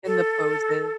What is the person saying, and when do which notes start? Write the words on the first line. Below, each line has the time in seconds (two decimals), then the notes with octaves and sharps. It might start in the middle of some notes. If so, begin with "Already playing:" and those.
And the poses.
0.06 A4